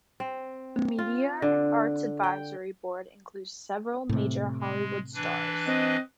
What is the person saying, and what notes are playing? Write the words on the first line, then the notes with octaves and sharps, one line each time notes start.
The Media and Arts Advisory Board includes several major Hollywood stars.
C4
F4
D3
G5
A2 C3
G#3
E3 D4 B4
C4 D#5